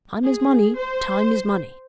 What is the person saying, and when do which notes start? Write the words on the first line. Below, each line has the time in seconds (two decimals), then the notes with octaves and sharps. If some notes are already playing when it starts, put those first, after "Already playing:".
Time is money, time is money.'
0.24 G#4
0.79 C5